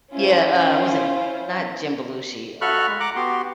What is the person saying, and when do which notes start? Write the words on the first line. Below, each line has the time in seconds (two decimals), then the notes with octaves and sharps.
Yeah, uh, was it not Jim Belushi, uh
0.12 C#4 E4 F4 C5
2.61 F#4 A4 B5 C#6 F6 F#6
2.88 G#3
3.00 F#5 A#5 D6 F#6
3.16 B3 F#4 G4 C6